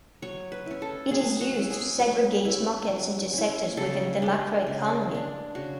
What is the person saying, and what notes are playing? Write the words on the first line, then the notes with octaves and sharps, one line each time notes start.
It is used to segregate markets into sectors within the macroeconomy.
F#3 C#5
B4
C#4 E4
A4
F#3 G#4
F#4
C#4 E4
G#4
F#3 B4
C#4 E4
F#3
C#4 E4
C#3 A4
G#3 D4
C#3
G#3 D4
C#3 F#4